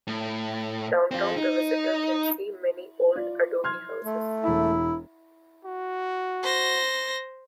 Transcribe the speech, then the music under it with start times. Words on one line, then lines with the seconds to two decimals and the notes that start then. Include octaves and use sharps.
Downtown the visitor can see many old adobe houses.
0.07 A2
1.11 C4 F4
1.37 D#4
3.16 F4 D5
3.64 C6 F6 G#6
4.05 A3
4.44 E1 E4 E5
5.65 F#4
6.43 C5 A#6